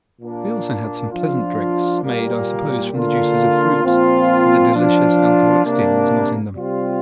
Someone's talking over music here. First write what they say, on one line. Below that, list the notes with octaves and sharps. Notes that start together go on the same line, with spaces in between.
We also had some pleasant drinks, made, I suppose, from the juices of fruits, but the delicious alcoholic sting was not in them.
A#2 A#3 D4
F3 D4 F4
A#2 G3 A#3
D3 A#3 D4 F4
A#2 F3 C4 F4
F3 D4 F4
C3 A#3 D4
C3 G3 C4 F4